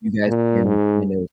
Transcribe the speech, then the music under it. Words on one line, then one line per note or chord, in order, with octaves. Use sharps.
you guys can kind of,
A#2
G#2